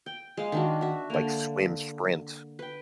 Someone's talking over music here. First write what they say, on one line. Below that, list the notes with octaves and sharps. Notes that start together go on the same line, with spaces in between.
like swim sprint
G5
G#3 F5
D#3 D4 F#4
F#4 E5
D3 A#3
B4 G5